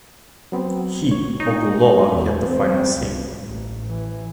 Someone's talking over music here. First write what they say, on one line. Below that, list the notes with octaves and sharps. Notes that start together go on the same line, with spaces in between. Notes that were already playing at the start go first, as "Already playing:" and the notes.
He, Ogulola had the final say.
F#3 B3 C4
C#5
D#4 C#5
E2
C4
C#2
A1
E3